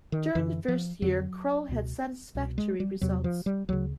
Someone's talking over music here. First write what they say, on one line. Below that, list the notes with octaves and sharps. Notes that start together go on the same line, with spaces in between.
During the first year Kroll had satisfactory results.
D#3
F#2 D3 E3
F3
F2 D3 F#3
C#2 B2
C2 B2
G#3
G3
E2 C3 F#3
F3
G3
D2 C#3 F#3